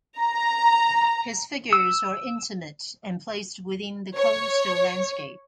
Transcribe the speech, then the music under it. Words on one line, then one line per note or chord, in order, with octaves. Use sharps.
His figures are intimate and placed within the coastal landscape.
A#5
E6
C#5